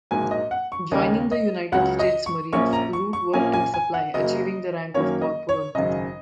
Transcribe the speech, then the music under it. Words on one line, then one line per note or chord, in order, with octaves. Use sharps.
Joining the United States Marines, Root worked in supply, achieving the rank of corporal.
A#1 G#2 F#3 A#3 G#5
D#5
F#5
C#6
D#2 C#3 A#3 C#4 D#5
D#5
C#2 C#3 F#3 C#4 F#5
D#5
C#6
A#1 A#2 A#3 C#4 C#6
A#5
C#6
C#6
A#1 A#2 A#3 C#4 G#5
G#5
G#5
F#5
F#1 F#2 F#3 A#3 D#5
F#2 D#3 F#3 A#3 C#4 C#5
D#5
C#5
G#1 F#2 C#3 D#5